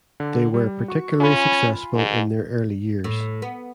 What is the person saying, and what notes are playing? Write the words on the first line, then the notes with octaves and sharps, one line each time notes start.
They were particularly successful in their early years.
D3
G3
F#4 C#6
C#4 F4 G#5 B5
G#2
A2
B3